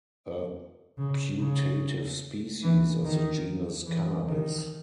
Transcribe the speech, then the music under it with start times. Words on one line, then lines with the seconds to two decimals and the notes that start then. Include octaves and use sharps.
A putative species of the genus "Cannabis".
0.98 C#3
1.40 C#3
2.63 E3
3.04 D#3
3.85 E3
4.26 D#3